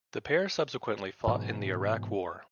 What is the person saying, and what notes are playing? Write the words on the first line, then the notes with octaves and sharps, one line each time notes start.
The pair subsequently fought in the Iraq War.
G#2 B2 E3 F#3